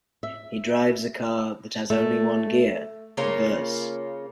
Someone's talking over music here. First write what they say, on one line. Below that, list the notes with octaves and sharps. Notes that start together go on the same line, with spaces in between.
He drives a car that has only one gear, reverse.
E5
A3
C#3 A#3 F4 C#5